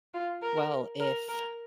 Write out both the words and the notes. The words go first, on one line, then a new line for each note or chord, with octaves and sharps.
"Well, if,
F4
A#4
A#4
A#4